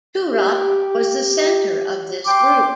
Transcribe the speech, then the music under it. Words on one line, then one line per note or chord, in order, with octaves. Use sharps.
Toorop was the center of this group.
G4
G5 C6 D6